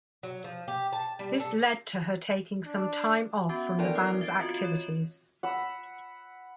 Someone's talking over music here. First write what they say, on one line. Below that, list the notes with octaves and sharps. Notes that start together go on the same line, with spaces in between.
This led to her taking some time off from the band's activities.
F#3
F3
G4
A5
G3
A4
D4
B3 C#4 F#4
E3 F3 D4 E4 D5 D7
D6 D#6 F6 F#6 C7
E5 G#6 A6 C7 D7
C4 F4 F#4 D#5
C#5
F#5 B5 E6